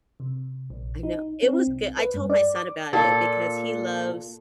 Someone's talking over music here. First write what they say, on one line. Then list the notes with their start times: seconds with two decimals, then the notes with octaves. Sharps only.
I know, it was goo I told my son about it because he loves
0.20 C3
0.70 A#1
1.03 D#4
1.43 C4
1.67 C2
1.98 B4
2.14 G2
2.30 D5
2.56 D6
2.93 A#2 A4